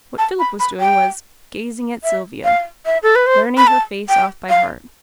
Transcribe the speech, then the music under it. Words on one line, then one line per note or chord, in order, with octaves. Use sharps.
What Philip was doing was, gazing at Sylvia--learning her face off by heart.
A5
B5
B5
G5
E5
F5
E5
A4
B4
C5
B5
A5
G5
F5